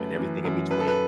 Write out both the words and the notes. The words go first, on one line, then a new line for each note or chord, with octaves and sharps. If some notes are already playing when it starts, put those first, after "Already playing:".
And everything in between.
Already playing: F#2 A3 B4
E3
F#2
F#2 B4
A4
B4